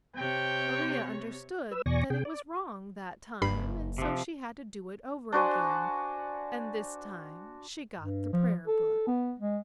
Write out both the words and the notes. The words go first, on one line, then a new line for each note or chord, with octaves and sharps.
Maria understood that it was wrong that time and so she had to do it over again: and this time she got the prayer-book.
C3 C#5 G5
B4 E6
E2 B2 D5 G#5 C#6 A#6
C3 G#4 G5
D5
F#1 G2 B5 C7
C3 F3
D4 F#4 C5 G#5
G2
F3
A4
B3
G#3